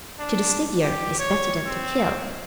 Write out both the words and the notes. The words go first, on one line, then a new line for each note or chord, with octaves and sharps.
To disfigure is better than to kill.
D4
G4
C#5
C4